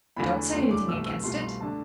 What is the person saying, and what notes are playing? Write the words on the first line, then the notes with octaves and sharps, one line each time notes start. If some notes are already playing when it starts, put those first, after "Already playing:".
I don't say anything against it.
E2 D3 F#3 A3 B5
E2 D3 F#3 A3 C6
D6
C2 B2 A3 E6
E6
C2 B2 A3 C6
C6
D3 A3 D4 A5